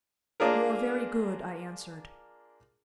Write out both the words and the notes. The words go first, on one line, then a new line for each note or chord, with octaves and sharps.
"You are very good," I answered.
A#3 D4 F4 G#4 A#4